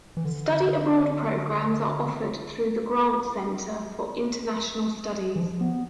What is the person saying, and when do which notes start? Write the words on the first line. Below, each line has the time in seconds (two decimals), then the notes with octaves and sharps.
Study abroad programs are offered through the Grant Center for International Studies.
0.17 E3
0.25 D3
5.36 E3
5.39 F3
5.61 B3